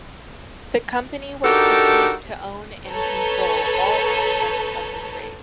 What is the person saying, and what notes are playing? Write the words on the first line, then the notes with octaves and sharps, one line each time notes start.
The company was perceived to own and control all aspects of the trade.
D4 D#4 F#4 G4 A4 A#4
A4 B4 C#5 A5 A#5 G6